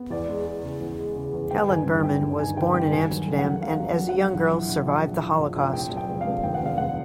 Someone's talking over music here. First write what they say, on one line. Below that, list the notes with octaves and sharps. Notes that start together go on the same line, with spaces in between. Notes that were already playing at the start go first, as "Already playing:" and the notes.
Helen Berman was born in Amsterdam and as a young girl survived the Holocaust.
Already playing: B3
E2 D5
G#3
G#3
C#3
E2
G#3
C#3
E2
G1 G5
G1 G#5
G2
D#3 G5
G2
D#3 G#5
G1 G5
G2 G5
D#2 G#5
F#3
A3
F#5
F#3
F#3 F5
F#3
F#3
F#5
F#3
A#1
E3
A#1
A#1
A#1
E3
A#1
A#1
F1 G5
F#3
G5
F1
F5
F1
D#2 G5
F#5
F1 F5
F1 F#5